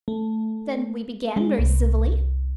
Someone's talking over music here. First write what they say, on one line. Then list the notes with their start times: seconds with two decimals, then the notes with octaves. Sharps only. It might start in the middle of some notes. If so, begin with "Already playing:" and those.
Then we began--very civilly.
0.08 A3
1.36 G#3
1.59 C2